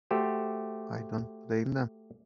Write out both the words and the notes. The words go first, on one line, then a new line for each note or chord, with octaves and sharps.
I don't blame them.
A3 F#4 G4 C5